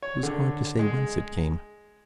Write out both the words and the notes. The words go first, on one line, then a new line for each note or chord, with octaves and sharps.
"It was hard to say whence it came."
C#5
D3
G#3